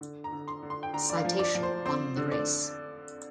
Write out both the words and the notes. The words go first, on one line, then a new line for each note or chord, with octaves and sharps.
Citation won the race.
D3
A#5
D3
C6
D3
C6
G5
D3 A#5
D5
F5
F3
D5
F3
C5
C4 C5
D3
D5